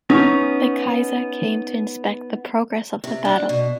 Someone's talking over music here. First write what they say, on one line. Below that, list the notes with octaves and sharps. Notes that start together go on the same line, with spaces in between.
The Kaiser came to inspect the progress of the battle.
B3 C#4 D#4
C3
D4
B2